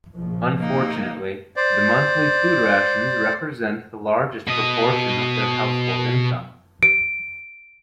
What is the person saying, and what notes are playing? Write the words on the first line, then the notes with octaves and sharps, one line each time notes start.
Unfortunately, the monthly food rations represent the largest proportion of their household income.
A#1 C#3 F3
A#3 D#4
C5 D5
B2 D#5
D7